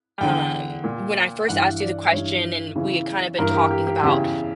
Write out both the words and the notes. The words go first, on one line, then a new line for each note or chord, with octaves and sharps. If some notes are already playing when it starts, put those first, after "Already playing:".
Um, when I first asked you the question and we had kinda been talking about
E2 D3 G5
A#2
G2 E3 F#5
D5
G2 C#5
E3
E2 C#3 E3
G2 E3 A#4
A#4
G4
G4
G4
E2 C#3 E3 G4